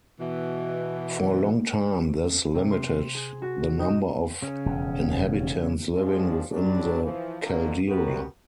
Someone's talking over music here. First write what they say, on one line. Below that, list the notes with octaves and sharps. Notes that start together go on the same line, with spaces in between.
For a long time, this limited the number of inhabitants living within the caldera.
B2 E3
C3
C6
G#4
F#4
D#4
C#3 C#4
E1 F2
B2 F3 G3 G#3 C4 D4
F#2 F#3 G3 D4
E3 F3
F2 B2 D3 F3 F#3 A#3
B3 F#4 G4 A#4